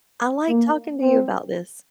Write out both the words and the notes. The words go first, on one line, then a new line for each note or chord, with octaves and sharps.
I like talking to you about this.
A#3
C4